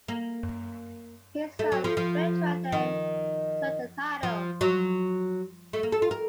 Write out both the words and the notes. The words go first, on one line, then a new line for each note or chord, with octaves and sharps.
His son, Bertrand, then took the title.
A#3
A3
F#3
F3
F3
D#3
F3
F#3
A3
A#3
A4
F4
A#4